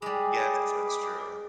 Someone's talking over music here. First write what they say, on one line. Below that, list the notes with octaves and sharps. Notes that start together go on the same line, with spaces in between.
Yes, that's true.
G3 G#3 G#4 B5 D6